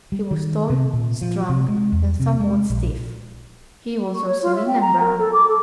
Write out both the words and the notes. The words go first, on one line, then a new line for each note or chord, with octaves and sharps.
He was tall, strong and somewhat stiff; he was also lean and brown.
G3
D#3
C3
A#2
F3
C3
G#3
E2
C3
G#3
A#1
C#6
C#5
F4
E5
G5
A#5
A#4
A4
D6
A4